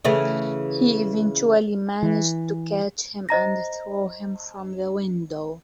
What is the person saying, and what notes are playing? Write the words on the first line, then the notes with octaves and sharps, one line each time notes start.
He eventually managed to catch him and throw him from the window.
C#3 E3 A3
E3
C5 D#5 A#5 A#6